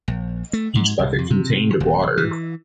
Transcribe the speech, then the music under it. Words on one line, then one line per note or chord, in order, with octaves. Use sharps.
Each bucket contained of water.
A#1
A3
G#2
C2
F2
C3
D#1
E3